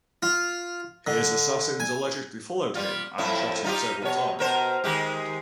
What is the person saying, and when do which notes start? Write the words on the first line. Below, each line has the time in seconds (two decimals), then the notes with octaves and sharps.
His assassins allegedly followed him and shot him several times.
0.23 F4
1.07 D3
1.80 G#5
2.75 G3 F4
3.18 F2 A2 E4
3.64 D#4 F4 G4
4.02 B2 C#5
4.39 B2 A#4 C5
4.84 D#3 G#3 G4